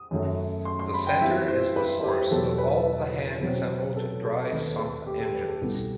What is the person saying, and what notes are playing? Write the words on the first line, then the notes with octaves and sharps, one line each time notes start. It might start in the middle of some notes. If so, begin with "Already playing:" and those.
The center is the source of all the hand assembled dry sump engines.
Already playing: D#6
F#2 D#3 F#3 A3
C6
C6
B5
G5
G2 E3 G3 C4 E5
C5
B4
G4
E2 B2 F#3 A4
B4
B2 F#3 C4
A4
A4
D#2 D#3 A3 C4 B4
A4
G4
A4
B4
A4
C2 B2 G3 B3 A4